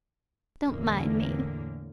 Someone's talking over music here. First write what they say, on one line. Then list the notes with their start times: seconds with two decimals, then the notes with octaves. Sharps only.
"Don't mind me."
0.67 E2 A2 D3 A#3